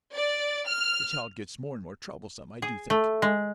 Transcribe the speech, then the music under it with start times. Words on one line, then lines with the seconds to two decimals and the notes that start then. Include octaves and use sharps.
The child gets more and more troublesome, I do think.
0.13 D5
0.68 F6
2.62 G#4
2.90 A3
3.22 G#3